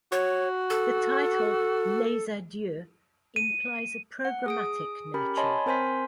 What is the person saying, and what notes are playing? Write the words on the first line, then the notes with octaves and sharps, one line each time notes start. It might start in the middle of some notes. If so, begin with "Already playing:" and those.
The title "Les Adieux" implies a programmatic nature.
F#4 C#5
A4
D#7
F#5
G#4 D#6 D7
C#4 G4 A#4 B5
C#5 D#5 G#5 A5 B5 C6
C4 A#4 C5 G#5 C6 B6